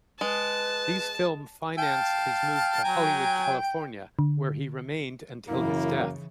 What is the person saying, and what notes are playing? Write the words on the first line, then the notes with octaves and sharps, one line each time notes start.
These films financed his move to Hollywood, California, where he remained until his death.
G#3 B4 A5
F5 G5 A5
F#3 G#5 A#5
D3
F#2 C#3 E3 A#3 E4